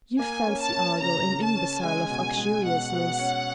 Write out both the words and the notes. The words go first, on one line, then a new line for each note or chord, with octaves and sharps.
You fancy Argyll an imbecile of uxoriousness.
A#3 G#5
C#4
A5
C#4
C#3 A#5
C#3
A5
C#4
G#3 G#5
B2
G#3
B2 F#5
B2
C#4